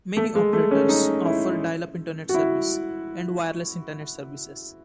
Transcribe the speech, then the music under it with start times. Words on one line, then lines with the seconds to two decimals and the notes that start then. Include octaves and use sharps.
Many operators offer dial-up internet service, and wireless internet services.
0.17 A3
0.35 G#3
0.53 A3
0.71 C#4
0.89 D#4
1.25 E4
2.29 F#4
2.34 E4